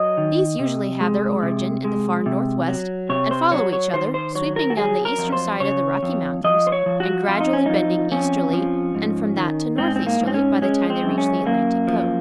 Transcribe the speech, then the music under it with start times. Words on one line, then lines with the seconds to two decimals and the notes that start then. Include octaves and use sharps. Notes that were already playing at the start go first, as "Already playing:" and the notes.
These usually have their origin in the far northwest, and follow each other, sweeping down the eastern side of the Rocky Mountains and gradually bending easterly and from that to northeasterly by the time they reach the Atlantic coast.
Already playing: F#3 D#5
0.17 D#3
0.59 C3
1.01 G#3
1.43 C3
1.84 G#3
2.26 C3
2.68 F#3
3.09 C3 C#5
3.31 C5
3.52 F#3 C#5
3.73 C#5
3.94 D#3 C5
4.14 C5
4.35 F#3 C#5
4.56 A#4
4.70 F#4
4.77 F#3 G#4
5.05 A#4
5.18 F2
5.32 C5
5.60 C#3 C#5
6.03 F2
6.44 F3 D#5
6.67 C5
6.72 C#5
6.86 F3
7.00 F#4
7.28 F2 F4
7.40 D#4
7.53 C#4
7.66 F3 D#4
8.12 F2 C#4
8.53 F3
8.95 G#2
9.37 D#3
9.78 G#2 C4
9.96 C4
10.07 A#3
10.21 G#2
10.27 C4
10.34 C#4
10.62 G#3 C#4
10.90 C4
11.04 F#2
11.18 C#4
11.46 F#2 A#3
11.88 F3